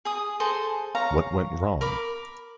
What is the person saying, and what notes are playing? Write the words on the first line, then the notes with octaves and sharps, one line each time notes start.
What Went Wrong?
G#4 D#6
G#4 A4 C5 A#5
C#5 F5 A#5
A#4 B5 D6